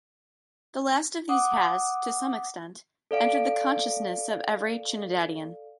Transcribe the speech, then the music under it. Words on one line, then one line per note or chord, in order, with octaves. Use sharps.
The last of these has, to some extent, entered the consciousness of every Trinidadian.
F#5 D6 D#6
A4 D5 F5 D7